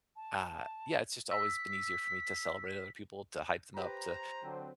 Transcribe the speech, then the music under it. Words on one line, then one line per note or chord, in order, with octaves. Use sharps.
uh, yeah, it's just always been easier for me to celebrate other people, to hype them up, to
A5
E6 B6
G4 B4 C5 A#5
D3 F#3 C4